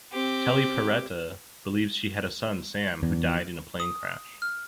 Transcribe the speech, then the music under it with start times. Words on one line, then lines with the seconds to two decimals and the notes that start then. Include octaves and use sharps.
Telly Paretta believes she had a son, Sam, who died in a plane crash.
0.13 C4 G4
3.03 E2
3.80 D#6
4.42 F6